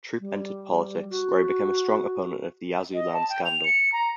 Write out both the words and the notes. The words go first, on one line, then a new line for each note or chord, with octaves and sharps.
Troup entered politics, where he became a strong opponent of the Yazoo land scandal.
G3
F#4
D#5
A5
G5
F7
C#7
A#5